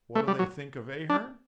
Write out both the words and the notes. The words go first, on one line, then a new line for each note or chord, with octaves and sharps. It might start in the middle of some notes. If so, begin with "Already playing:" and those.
What do they think of Ahearn?
A3
G3
F#3
D4